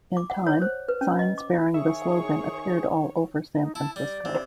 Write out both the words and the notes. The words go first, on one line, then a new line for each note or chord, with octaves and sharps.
In time, signs bearing the slogan appeared all over San Francisco.
D6
F#5
C#5
C5
B4
C#4
D#5
D6
D#3 G#4 C#5 E5 C#6
D#4
E4 A5
G3 D5
C3